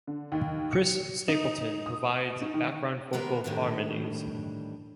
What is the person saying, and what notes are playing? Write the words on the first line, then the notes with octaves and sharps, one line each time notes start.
Chris Stapleton provides background vocal harmonies.
D3
D#2
C#7
D#4
D#6
D#4
D#3
D#3 G#3 B3 G4 A#4 B4
A2 D#3 E3 G3 D4